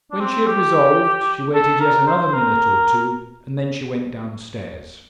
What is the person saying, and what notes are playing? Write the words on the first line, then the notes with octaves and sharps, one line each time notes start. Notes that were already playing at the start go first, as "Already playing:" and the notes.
When she had resolved, she waited yet another minute or two, and then she went down-stairs.
D4
C4
G4
A4
A#4
C5
A#4